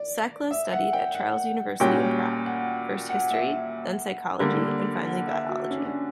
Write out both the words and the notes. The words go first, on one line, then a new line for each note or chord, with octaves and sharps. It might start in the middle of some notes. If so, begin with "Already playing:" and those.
Sekla studied at Charles University in Prague, first history, then psychology and finally biology.
Already playing: D5
E5
F#5
G5
F#5
A#2 G3 C#4 F#4 G5
F#5
F#5
E5
D3 G3 A#3
F#5
E5
F#4
C#4
D4
C#4